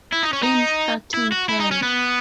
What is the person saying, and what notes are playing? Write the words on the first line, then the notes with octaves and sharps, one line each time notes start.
In starting Help!
E4
D#4
C#4
D#4
E4
F#4
E4
D#4
C#4
B3